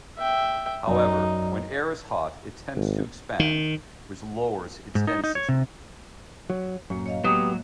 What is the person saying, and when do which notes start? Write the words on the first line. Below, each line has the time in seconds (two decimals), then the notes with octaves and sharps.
However, when air is hot, it tends to expand, which lowers its density.
0.18 E5 G5
0.88 F#2 D#4 D5
2.76 G#1
3.40 D#3
4.95 G#2
5.07 D#4
5.24 D#4
5.35 C#5
5.49 C3
6.50 F#3
6.90 F#2 A2 A#3
7.06 C#5 D#5 F5
7.24 F#3 G#3 A#3 B3 G4 D#6